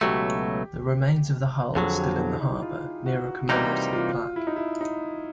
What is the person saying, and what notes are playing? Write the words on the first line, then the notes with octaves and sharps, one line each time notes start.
The remains of the hull are still in the harbor, near a commemorative plaque.
C#2 B2 F#3 A3 G4
F2 D3 F#3 G#4
G4
E4
D#4
E4
F4
F#4
C3 E3 G3 A#3 D#4 F#4
F4
E4
D#4
E4
D#4